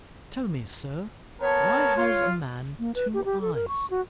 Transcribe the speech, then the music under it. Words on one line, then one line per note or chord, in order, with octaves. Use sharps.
"Tell me, sir, why has a man two eyes?"
B3 A#4 C#5 A5
F4
A#3
B4
G4
G4
A4
A#4
C#6
F#4